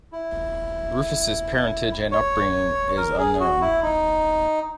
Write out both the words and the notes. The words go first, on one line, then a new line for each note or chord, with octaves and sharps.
Rufus' parentage and upbringing is unknown.
E4
C#5
A#4
G#4
F#4
E4
D#4